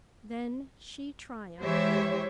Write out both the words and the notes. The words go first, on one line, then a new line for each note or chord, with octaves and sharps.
Then she triumphed.
E3 G#3 G4 C5 C#5 E5